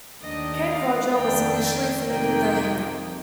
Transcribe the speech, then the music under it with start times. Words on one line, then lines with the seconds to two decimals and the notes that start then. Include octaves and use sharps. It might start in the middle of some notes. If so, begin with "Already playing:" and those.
"Cape Roger" was initially fitted with a hangar.
0.22 D#2 D#3 A3 D4 D#5
0.68 F5
1.15 F2 D#3 A3 D4 G5
2.07 F2 C3 D#3 A#3 G5